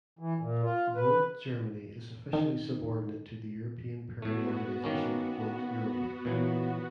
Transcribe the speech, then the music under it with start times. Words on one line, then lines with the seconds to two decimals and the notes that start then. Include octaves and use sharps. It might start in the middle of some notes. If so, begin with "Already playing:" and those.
Volt Germany is officially subordinate to the European parent organisation Volt Europa.
0.19 E3
0.40 A#2
0.63 F4
0.96 B4
2.33 D#3
4.22 A2 A3 B3 F#4
4.84 D#3 A#3 C#4
6.25 A#2 E3 F#3